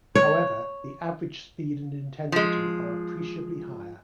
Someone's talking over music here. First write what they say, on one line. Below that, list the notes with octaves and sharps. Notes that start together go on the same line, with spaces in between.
However, the average speed and intensity are appreciably higher.
C#5
F3 G#3